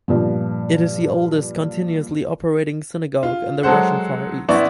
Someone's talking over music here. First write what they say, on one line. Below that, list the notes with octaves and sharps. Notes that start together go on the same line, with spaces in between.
It is the oldest continuously operating synagogue in the Russian Far East.
G2 A#2 F3
F4
F#3 G#3 A4 C5 F#5
A1 B3 E4 D5 C#6